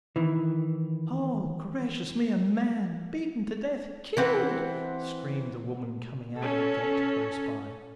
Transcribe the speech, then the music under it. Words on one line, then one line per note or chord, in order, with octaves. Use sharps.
"Oh, gracious me, a man beaten to death--killed!..." screamed a woman coming out of a gate close by.
D#3 E3
E3 C4 F#5
C#4 A4